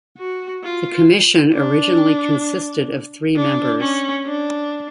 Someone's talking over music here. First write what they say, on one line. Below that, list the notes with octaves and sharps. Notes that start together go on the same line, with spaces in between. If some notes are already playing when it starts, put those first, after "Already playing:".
The Commission originally consisted of three members.
F#4
F4
D4
D4
C#4
D4